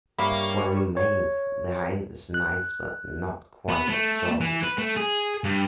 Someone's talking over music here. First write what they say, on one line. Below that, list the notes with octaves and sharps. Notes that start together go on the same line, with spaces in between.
What remained behind is nice but not quite absorbing.
G2 A#3 C#5 E5 B5
C#5
F#6
B3
A3
E3
B4
A3
G#4
G2